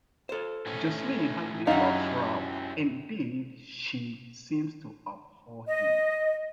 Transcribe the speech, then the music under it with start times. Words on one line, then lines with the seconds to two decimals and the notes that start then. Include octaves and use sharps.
Jocelyn hardly loves Ralph - indeed, she seems to abhor him.
0.29 A4 C5
0.66 A2 A3 C#4
1.67 F#2 D#4 E4 G4 F5 F#5
5.67 D#5